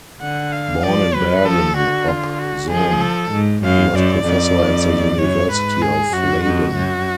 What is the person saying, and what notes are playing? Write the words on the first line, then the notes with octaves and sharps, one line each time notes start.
Born in Bergen op Zoom, he was professor at the University of Leiden.
D3 F#5
F5
F3 D5
F#3 B4
F3 A4
D3 F#4
F4
F#4
F3 G#4
A4
G#2
F#2 F5
F#2 D5
F2
F#2 C#5
G#2 B4
G#4
F#2 F#4
F2 F#4
F#2